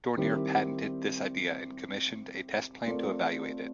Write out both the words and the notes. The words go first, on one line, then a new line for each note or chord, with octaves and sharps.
Dornier patented this idea and commissioned a test plane to evaluate it.
D#3 G3 C4 E4 G4
A3 C4 F4 A#4 D5